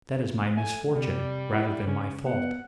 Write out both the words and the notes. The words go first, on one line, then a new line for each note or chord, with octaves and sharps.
"That is my misfortune, rather than my fault."
A3 G#5
C3 G3
E4
C#3 C#4
B3 F#5